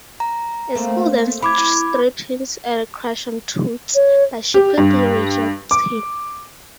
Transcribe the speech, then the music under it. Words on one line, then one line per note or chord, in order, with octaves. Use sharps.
A school-dance strip hints at a crush on Toots, but she quickly rejects him.
A#5
A3 A#3 C4
E4 B5 D6 G#6
C#5
G4
G2
D6